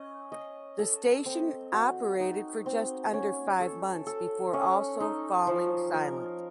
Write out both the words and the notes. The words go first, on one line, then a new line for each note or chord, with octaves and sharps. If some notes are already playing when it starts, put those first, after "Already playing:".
The station operated for just under five months before also falling silent.
Already playing: C#4 D#5
D#5
A4
C4
F#4
D#4
C4
C#4
A4
A4
C#4
D#4
F3
A#4